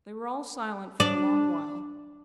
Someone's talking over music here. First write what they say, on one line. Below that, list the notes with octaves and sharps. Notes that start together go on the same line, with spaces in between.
They were all silent for a long while.
D4